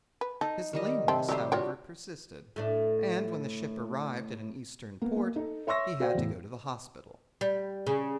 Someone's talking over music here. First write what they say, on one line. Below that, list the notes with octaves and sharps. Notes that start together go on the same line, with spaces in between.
His lameness, however, persisted, and when the ship arrived at an Eastern port he had to go to the hospital.
B4
D#4 A4
D#3 G3 D#5
C3 C4 A4
F#3 G3 A3 G4 C5
G3 D4 F4 F#4 C#5 G5
A2 A3 D4
A#3 B3
A#3
D#4 A4
C#5 E5 C6 C#6 E6 A#6
F#4 C5 D5 F5 G5
E2 A2
G3
C#3